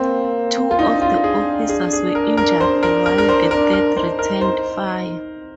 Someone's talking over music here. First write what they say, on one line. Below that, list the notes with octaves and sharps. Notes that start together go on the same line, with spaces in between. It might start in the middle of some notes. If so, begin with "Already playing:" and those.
Two of the officers were injured while the third returned fire.
Already playing: A#3 C4
F4
D4 D#4
F4
G#4
G#4
G#4
A#4
A#4
D4 C5
A#4
A#4
A#4
C5
D4 A#4
A#4
D#4 C5
A#4
D#4 C5